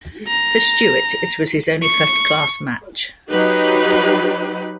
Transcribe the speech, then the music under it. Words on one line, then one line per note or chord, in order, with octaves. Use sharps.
For Stewart it was his only first-class match.
A#5
C#6
F#3 D#4 G4 B4